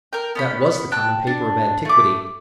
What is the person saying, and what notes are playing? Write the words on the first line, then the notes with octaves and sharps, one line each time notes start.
"That was the common paper of antiquity."
A#4 G5
B3 C#4 B5
G5 A5 F#6
D4
A3 D6